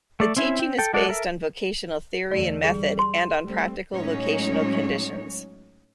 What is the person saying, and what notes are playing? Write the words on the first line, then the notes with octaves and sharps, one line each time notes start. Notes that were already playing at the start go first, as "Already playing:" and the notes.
The teaching is based on vocational theory and method and on practical vocational conditions.
A3 D5
C4 C#4 E4
C4
A4 G5
G#3 F#4 A4 D5
A4 A#4 E5
E2 D3 A3 D5
G3 G#4
C6
G3 A3 C4
A2 F#3 G#3 C#4 D#4 C#5